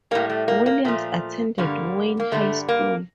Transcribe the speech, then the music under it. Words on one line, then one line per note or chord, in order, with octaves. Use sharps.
Williams attended Wayne High School.
A2 G3 A#3
A3
A#3
A#3
A#2 F3 A3
G2 D3 G3 A#3
A#3
G2 D3 G3 A3
A#3